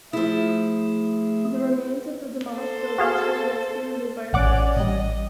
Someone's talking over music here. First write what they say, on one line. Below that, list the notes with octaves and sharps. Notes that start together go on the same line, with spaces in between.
The remains of the demolished buildings have yet to be removed by authorities.
F3 A3 E4 G#4
A4 C5
F#4 G#4 F5
A1 C#4 D5 F#5 D6
A1 G3 D#5